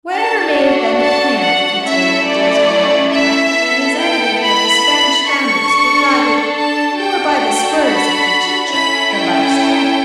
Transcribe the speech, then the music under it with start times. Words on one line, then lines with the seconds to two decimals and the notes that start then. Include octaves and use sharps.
Whatever may have been the plan of Quito in the days of Huayna-Capac, it is evident that the Spanish founders were guided more by the spurs of Pichincha than by astronomy.
0.13 D4 F#4 A4 A5
0.99 A5
1.41 F#5
1.84 A3 C#4 E4 A4 E5
2.27 D5
3.12 E5
3.55 B3 E4 A4
3.98 G5
4.41 B5
5.27 D4 A4 C#6
6.54 A5
6.98 D4 F#4 A4 G5
7.41 G5
7.83 B5
8.68 C#4 E4 A4 B5
9.12 G5